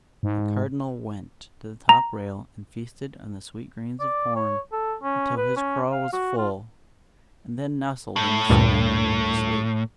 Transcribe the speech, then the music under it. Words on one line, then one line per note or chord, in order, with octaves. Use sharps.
The Cardinal went to the top rail and feasted on the sweet grains of corn until his craw was full, and then nestled in the sumac and went to sleep.
G#2
A#5
D5
C#5
A4
C#4
B4
C#4
F5
F#4
F4
A2
D2 G2 A#2